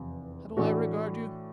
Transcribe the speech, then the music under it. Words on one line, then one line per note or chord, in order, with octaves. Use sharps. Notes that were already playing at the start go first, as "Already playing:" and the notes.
How do I regard you?
Already playing: F1 E2 C3 F3
A2 E3 A3 D4 F#4